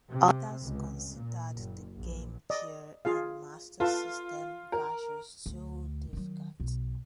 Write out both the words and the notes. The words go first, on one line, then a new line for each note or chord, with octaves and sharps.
Others considered the Game Gear and Master System versions too difficult.
C3
C#2
A#2
F#1
A#1
D5 D#5
F4 G#4 F5
F4 A4 B4 A5
A#4
D2
D#3 F#3
B1